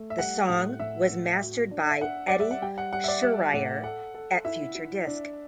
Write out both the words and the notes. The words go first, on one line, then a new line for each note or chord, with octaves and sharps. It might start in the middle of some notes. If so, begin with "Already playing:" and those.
The song was mastered by Eddy Schreyer at Future Disc.
Already playing: A3
E5
G3 F#5
A2
A2 E5
A2
F#4
D4
E5
D4 F#5
G3 D5
E5
F#5
G3 G5
F#5
G3 F#5
E5
D5
G3 E5
A2 F#5
A4 F#5
A4
E4 E5
E4
D4